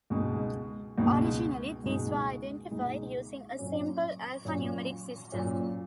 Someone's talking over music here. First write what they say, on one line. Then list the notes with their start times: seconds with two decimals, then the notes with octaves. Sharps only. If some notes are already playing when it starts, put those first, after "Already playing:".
Originally, these were identified using a simple alphanumeric system.
0.10 C#2 B2 G#3 D#4
0.98 C#2 B2 G#3 D#4
1.84 C#2 B2 G#3 D#4
2.71 C#2 B2 G#3 D#4
3.58 A#2 F#3 C#4
4.45 A#2 F#3 C#4
5.32 A#2 F#3 C#4